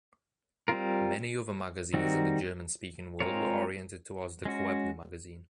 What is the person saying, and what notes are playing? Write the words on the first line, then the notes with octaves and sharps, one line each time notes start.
Many other magazines in the German-speaking world were oriented towards the Koebner magazine.
G3 C4 F4 A#4
D#3 G3 C4 D#4 F#4
G#3 C4 F4 A#4 C#5
G#3 C#4 F#4